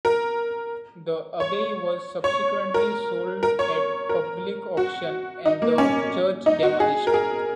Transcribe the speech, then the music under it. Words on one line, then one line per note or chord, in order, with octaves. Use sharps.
The abbey was subsequently sold at public auction and the church demolished.
A#4
C#5
C#5
A#4
A#4
C#5
A#4
F#4
D#4
A#3
C#4
D#4
F#4
G#4
A#4
G#4